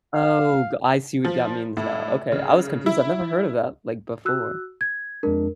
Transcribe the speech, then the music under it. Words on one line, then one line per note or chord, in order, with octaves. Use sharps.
Oh, go I see what that means now, okay, I was confused, I've never heard of that, like, before.
F5
F3
A2
C#3
E4
F#4 E6 F#6
G#6
F2 G#3 D4 A#4